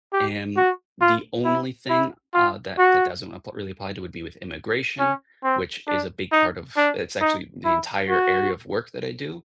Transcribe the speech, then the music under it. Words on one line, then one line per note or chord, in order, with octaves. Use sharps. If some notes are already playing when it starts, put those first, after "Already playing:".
And the only thing, uh, that that doesn't app really apply to would be with immigration, which is a big part of It's actually the entire area of work that I do,
G4
F#4
F4
E4
E4
F4
F#4
C#4
C4
D4
D#4
D4
D#4
E4
F#4